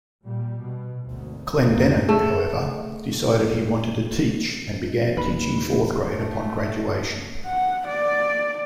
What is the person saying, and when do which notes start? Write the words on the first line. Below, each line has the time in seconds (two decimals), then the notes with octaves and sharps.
Clendenon, however, decided he wanted to teach, and began teaching fourth grade upon graduation.
0.24 A#2 G3
0.61 B2
1.03 G#1 D2
1.62 A1 E2 G2 G3 A#3
2.09 A3 G#4
5.17 D#2 B4
6.13 A3
7.46 F#5
7.88 D5